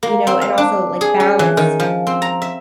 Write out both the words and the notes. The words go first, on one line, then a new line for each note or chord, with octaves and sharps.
You know, and also, like, balance
A#3
C4
F5
D4
G#4
C#4
E3
D#3
F3
C4
A#5
E5